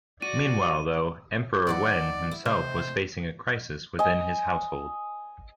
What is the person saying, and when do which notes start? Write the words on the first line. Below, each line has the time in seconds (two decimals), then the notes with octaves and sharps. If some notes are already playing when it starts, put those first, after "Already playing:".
Meanwhile, though, Emperor Wen himself was facing a crisis within his household.
0.22 F#4 D5 D#7
1.67 D#3 F#3 D5 F#5
2.31 E4
2.45 A2 C3 C5 D#5
3.99 D#5 G#5